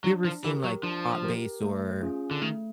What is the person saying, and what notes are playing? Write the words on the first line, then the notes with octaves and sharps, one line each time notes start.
have you ever seen, like, Pop Bass or
F#3 D4
F3
E3 G4 A#4
F#3
F3 D4
G4 A#4
A3
C#4 F4 G#4
D3
D#3 A3